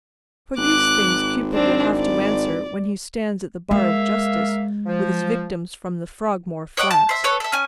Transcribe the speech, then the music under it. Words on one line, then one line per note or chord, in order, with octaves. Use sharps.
For these things Cupid will have to answer when he stands at the bar of justice with his victims from the Frogmore flats.
G#1 D6 F#6
C4 D4
D5
G#3 A#3 E5 F5
F3
C#5 D#5 F#5 D6
A5
C5 E5
A4 B4 C#5
A4 E5
C#4 G#5